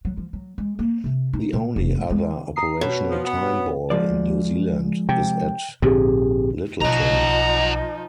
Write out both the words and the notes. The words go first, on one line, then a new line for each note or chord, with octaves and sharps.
The only other operational time ball in New Zealand is at Lyttelton.
F#3
F3
F#3
G#3
A#3
C3
D#4
A#2
F1
A2
G#3
A#5 D#6 C7
B2 C#5
F3
B3
G#2 F3 D5
C3 G5
A#1 G#2 D3 C4 G4 G#4
B1 F3 D#4 D#5 F#5 A#5